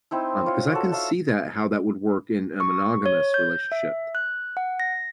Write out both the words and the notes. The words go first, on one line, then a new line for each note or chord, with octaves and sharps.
um, 'cause I can see that how that would work in a monogamous relationship,
C4 D#4 E4
F4 C#5
F#4 A4
A4 E5 F5
C#6
C#5
G6
E5
F#6
F#5
A#6